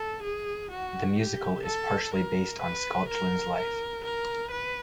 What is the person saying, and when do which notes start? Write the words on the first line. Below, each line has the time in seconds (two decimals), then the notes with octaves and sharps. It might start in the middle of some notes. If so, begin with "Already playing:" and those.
The musical is partially based on Schalchlin's life.
Already playing: A4
0.23 G#4
0.71 F#4
1.19 G4
1.66 A4
2.14 A#4
2.61 B4
3.08 A#4
3.57 A#4
4.04 A#4
4.51 B4